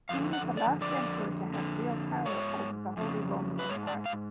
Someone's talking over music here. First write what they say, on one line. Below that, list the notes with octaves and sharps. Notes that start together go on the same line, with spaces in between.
He was the last emperor to have real power over the Holy Roman Empire.
F2 D3 F5
F#5
D5
F2 D3 D5
F2 D3
G#2 C#5
F2 C#3
B4
G#2 C#5
D5
F5